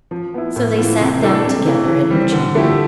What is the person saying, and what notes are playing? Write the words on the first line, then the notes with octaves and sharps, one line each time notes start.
So they sat down together in her chamber.
F3
B3 E4
A2
E3 B3 F4
C3
E3 A3 D4 A4
C3
E3 A3
E3
G3 C4
D3
F3 A3 E4 G4